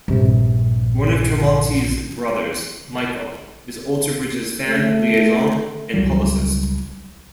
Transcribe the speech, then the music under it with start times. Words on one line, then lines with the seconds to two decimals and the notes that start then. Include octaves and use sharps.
One of Tremonti's brothers, Michael, is Alter Bridge's fan liaison and publicist.
0.08 A#1 G2 C3
4.68 A3
5.94 C#2 F#3 G3